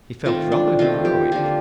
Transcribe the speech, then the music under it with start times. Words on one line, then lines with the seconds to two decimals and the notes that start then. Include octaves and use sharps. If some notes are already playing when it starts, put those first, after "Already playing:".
He felt rather heroic.
0.25 D#3 A3 C4 F4
0.52 D4
0.79 D#3 A3 C4 F4
1.05 G4
1.32 D3 F3 A#3 F4